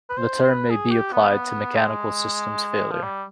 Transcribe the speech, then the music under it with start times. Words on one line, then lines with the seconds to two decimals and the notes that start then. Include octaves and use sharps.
The term may be applied to mechanical systems failure.
0.09 B4
0.17 C5
0.42 C5
0.49 B4
0.70 G#4
0.91 G4
1.13 B3
1.76 G#3
2.91 F3
3.03 G3